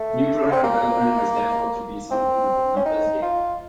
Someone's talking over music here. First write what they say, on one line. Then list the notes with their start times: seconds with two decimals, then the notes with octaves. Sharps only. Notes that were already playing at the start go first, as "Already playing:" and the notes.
New product development has therefore to be something of a numbers game.
Already playing: A3
0.52 C4
0.64 A#3
2.11 C4
2.76 C#4
2.86 D#4
3.22 F4